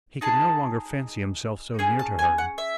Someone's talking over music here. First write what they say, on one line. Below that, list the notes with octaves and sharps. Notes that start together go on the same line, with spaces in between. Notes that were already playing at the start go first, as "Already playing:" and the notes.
He could no longer fancy himself so near to her.
D#4 G#4 A5
C#4 G#4 G#5
A5
G#5
F#5
E5